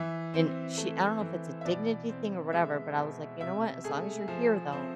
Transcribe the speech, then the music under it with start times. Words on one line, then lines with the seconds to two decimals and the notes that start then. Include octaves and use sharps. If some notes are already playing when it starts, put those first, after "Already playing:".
And she I don't know if it's a dignity thing or whatever, but I was like, "You know what? As long as you're here, though,
Already playing: E3 E5
0.34 C4
0.78 A3
1.21 E3
1.61 E5
1.65 B2 D5
2.09 C4
2.53 G#3 E5
2.97 B2
3.40 C3 E5
3.84 A3 G#4
4.28 F3
4.72 C4